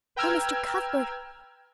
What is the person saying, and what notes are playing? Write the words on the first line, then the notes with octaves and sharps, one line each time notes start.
Oh, Mr. Cuthbert!!
B4 G5 A#5 E6 F6 G#6